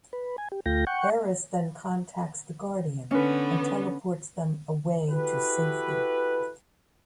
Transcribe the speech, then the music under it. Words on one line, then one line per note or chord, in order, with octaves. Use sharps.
Eris then contacts the Guardian and teleports them away to safety.
B4
G#5
G4
D2 A3 F4 G5 A#6
F#5 G5 C#6
D3 B3 C#4 B4
E4 F#4 G4 A4 B4